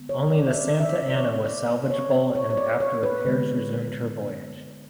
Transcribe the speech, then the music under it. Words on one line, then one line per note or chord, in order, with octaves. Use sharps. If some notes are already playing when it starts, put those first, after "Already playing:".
Only the "Santa Ana" was salvageable and after repairs resumed her voyage.
Already playing: D3 G#3 B3
C#5
D5
E5
D5
E5
D5
D5
C#5
D5
C#5
C#5
C#5
D5
C#5
B4
D3 G#3 B3